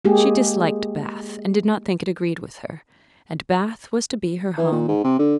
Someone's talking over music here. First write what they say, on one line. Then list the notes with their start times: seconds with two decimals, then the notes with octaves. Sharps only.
She disliked Bath, and did not think it agreed with her; and Bath was to be her home.
0.05 G#3 A#3 G4 G#4
4.58 E3
4.71 A#2
4.88 G#2
5.04 C3
5.19 D3